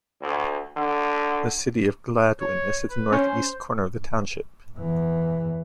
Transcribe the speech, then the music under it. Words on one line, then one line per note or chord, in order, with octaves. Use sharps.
The City of Gladwin is at the northeast corner of the township.
D2
D3
C#5
B4
C#4 C5
E2 E3